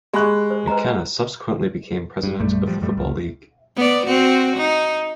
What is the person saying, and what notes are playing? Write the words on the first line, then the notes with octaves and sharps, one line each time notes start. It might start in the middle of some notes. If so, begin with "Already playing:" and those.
McKenna subsequently became President of the Football League.
G#3 G4 B5 C#6 F#6
C5
B4 D#5 A#5
G2
A#1 F#2 G3 A3
A2 F3 G3
F2 A2 G3 A3
C#2
B3 D5
C4 F#4
D#4